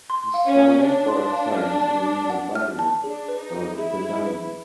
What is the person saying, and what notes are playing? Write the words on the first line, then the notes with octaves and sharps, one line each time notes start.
Pastrana for a time remained a barrio of Dagami.
C6
F5
C#4
G#5
D4 C#5
C6
F5
F6
A5
D6
F#5
F6
A5
D4 G#4
B4
D#4
D#5
E4 G#4
G#4
B4